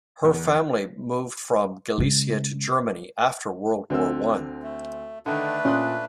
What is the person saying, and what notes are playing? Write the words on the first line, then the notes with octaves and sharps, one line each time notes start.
Her family moved from Galicia to Germany after World War One.
E2
C#3 G#3
D2 D3 C4 E6
A3
D3 D#3 A3 D4 B4
A#2 C#4 D5 C6 D#6 F#6